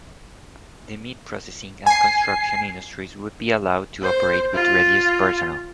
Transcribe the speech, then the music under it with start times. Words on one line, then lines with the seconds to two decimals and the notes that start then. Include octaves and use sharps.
The meat processing and construction industries would be allowed to operate with reduced personnel.
1.86 G#5 C7
4.02 C5
4.55 F4